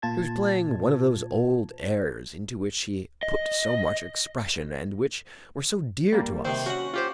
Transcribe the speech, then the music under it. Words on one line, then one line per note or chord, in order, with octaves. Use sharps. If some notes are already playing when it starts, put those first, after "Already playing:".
She was playing one of those old airs, into which she put so much expression and which were so dear to us.
A#2 F4 A5 G#6
D#5
G3 A#3
C3 D#3 C5
C#4 F#4 F#5
F4 G4 C5